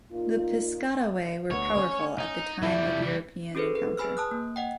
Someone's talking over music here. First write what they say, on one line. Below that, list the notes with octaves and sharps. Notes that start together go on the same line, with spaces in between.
The Piscataway were powerful at the time of European encounter.
A#2 D#4 F4
D2 B3 C#5
C#4
D#4
F2 E3 G3 E4 A5
C#4 F#4 G#4 A4 B4 C5
B4
G#4 B4 G#5 B5 E6 F6
A5 D#6 F#6
A#3
D#5 F#5 G5